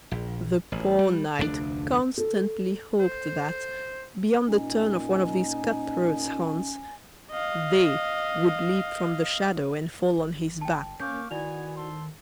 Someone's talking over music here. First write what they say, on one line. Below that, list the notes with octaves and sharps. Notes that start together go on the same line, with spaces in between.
The poor knight constantly hoped that, beyond the turn of one of these cut-throats' haunts, "they" would leap from the shadow and fall on his back.
A#1
A1
G3
F1 D2 A#2 D4
A4
C5
A#2 C#4 D#4 G#5
D#5 F5
G1
G5 A5
E2 A#3 C#4 F5 C#6 D6 G6
D#3 B3 E4 F#4 D5 G#5 F7
A4 C5 C6